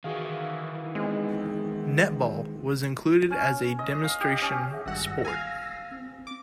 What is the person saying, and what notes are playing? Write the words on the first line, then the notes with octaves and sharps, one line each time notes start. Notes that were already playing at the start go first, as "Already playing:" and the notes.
Netball was included as a demonstration sport.
D#3 E3 F#4 G#4 F5
G#3 B3 C4
C#4
D#5
F5
G4
C#4
G#4 E5 F#5
G#1 G2 F#5 E6 A#6
F5 G#5
C4
D6